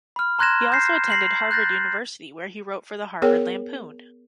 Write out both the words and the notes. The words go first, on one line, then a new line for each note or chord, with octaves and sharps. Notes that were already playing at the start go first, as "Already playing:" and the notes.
He also attended Harvard University where he wrote for the "Harvard Lampoon".
B5 F6
A#5 C6 F#6 G#6 A#6 E7
G6 A#6 C7
A#6 C7 F#7
F#6 G6 A6 A#6
B3 G#4 A#4 C#5 G5